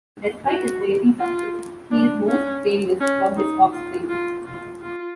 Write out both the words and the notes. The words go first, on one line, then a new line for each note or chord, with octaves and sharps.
Despite his racing success, he is most famous for his offspring.
F#4
F4
D4
C#4
C#4
D#4
F4
F4
F4
F4